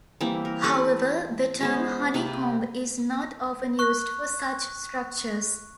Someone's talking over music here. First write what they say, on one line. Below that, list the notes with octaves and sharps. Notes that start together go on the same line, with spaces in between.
However, the term "honeycomb" is not often used for such structures.
E3 G3 A#3 C4
A#4
G4 A4 B4
G#3 B3 C5
C3 A#3 B4 C#6
C#6 F#6